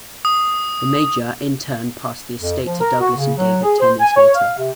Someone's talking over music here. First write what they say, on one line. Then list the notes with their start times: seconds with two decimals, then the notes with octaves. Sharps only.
The Major in turn passed the estate to Douglas and David ten years later.
0.25 D#6
2.40 F2
2.65 F3
2.81 A#4
2.99 F#4
3.17 C#3
3.38 F#3
3.63 G#4
3.80 C5
4.00 G#5
4.16 C#5
4.35 F5
4.58 C3